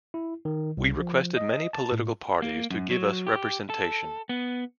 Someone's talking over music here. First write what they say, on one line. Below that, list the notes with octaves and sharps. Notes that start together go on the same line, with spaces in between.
We requested many political parties to give us representation.
E4
D#3
C2
F3
D#5
A5
A2
A#3
F#2
F#3
G4
A4
B3